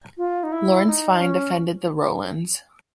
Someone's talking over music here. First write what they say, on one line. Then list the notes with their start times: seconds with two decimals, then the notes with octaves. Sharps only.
Lawrence Vine defended the Rowlands.
0.17 F4
0.43 D#4
0.52 E4
0.87 D#4
1.20 C#4